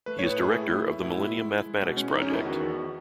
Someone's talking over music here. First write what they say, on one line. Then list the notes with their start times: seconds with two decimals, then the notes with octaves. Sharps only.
He is Director of the Millennium Mathematics Project.
0.06 A3 B4
0.19 C#5
0.23 A2
0.30 B4
0.38 A3 G#4
0.54 A2 E4
0.71 A2
0.86 A2
1.03 B2 E4
1.17 G#3
1.34 G#3
1.49 G#3
1.66 G#3
1.82 B2
1.97 G#3 C#4
2.10 D#4
2.13 E2
2.22 C#4
2.29 E2 E4
2.45 D#3 F#4
2.61 E2